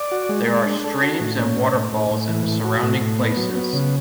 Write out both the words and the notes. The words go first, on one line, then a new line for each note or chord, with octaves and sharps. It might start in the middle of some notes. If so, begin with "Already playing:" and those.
There are streams and waterfalls in the surrounding places.
Already playing: D5
F#4
G#3
G#3
D4
A4
F#4
A2
C#4
A2
A2
A2
A2
E3
A2
F#4
A2
A2
B3
F#3
B3
C#3